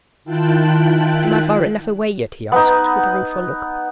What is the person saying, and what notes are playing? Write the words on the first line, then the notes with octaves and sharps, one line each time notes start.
"Am I far enough away yet?" he asked, with a rueful look.
D#3 E4 F4 G5 A5 F#6
B3 D#4